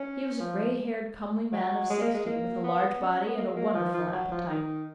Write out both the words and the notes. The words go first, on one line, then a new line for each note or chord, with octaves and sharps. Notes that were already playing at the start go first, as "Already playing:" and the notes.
He was a grey-haired comely man of sixty, with a large body and a wonderful appetite.
Already playing: C#4
F3
F#3
G#3
A#3
G#3
A#3
B3
C#4
C#4
B3
A#3
G#3
A#3
F3
F3
F#3
F3
D#3